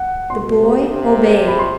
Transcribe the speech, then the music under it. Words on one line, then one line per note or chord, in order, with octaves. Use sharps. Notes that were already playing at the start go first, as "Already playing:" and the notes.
The boy obeyed.
Already playing: F#5
B2 C6
C3
C3
B5
C6